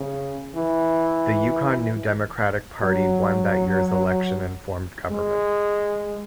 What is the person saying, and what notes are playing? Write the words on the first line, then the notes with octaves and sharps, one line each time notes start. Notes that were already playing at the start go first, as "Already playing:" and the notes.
The Yukon New Democratic Party won that year's election and formed government.
Already playing: C#3
E3
F#3
G#3